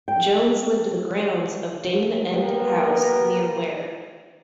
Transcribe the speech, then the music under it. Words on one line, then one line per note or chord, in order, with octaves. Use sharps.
Jones lived in the grounds of Dane End House near Ware.
G5
A#3 B3 G4 A#4 B4